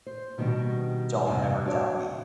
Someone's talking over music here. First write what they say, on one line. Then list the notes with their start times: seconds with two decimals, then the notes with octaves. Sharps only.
"Don't ever doubt me,"
0.06 C5
0.38 B2 D#3 G3 B3 D4 F#4
1.26 E2 G2 C3
1.65 D4 F#4 C#5 D5